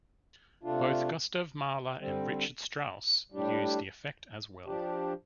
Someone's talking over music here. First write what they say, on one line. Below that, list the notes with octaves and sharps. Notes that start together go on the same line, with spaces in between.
Both Gustav Mahler and Richard Strauss used the effect as well.
C3 A3 D4 F4
D3 G3 C4
A2 G3 D4 G4
F3 D4 G4